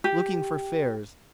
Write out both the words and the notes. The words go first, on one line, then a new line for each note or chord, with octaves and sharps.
Looking for fares.
G4